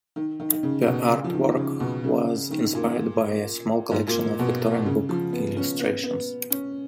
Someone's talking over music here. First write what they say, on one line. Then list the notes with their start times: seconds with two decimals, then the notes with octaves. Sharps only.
The artwork was inspired by a small collection of Victorian book illustrations.
0.16 D#3
0.40 D#3
0.52 D#3
0.63 C#3
0.87 B2
1.10 C#3
1.24 F3
1.33 D#3
1.57 C#3
1.80 B2
2.04 C#3
2.51 D#3
2.75 A#2
3.91 G#2
4.07 A#2
4.39 B2
4.86 C#3
5.09 F3
5.33 B3
5.57 C#4
5.80 B3
6.04 B3
6.50 C#4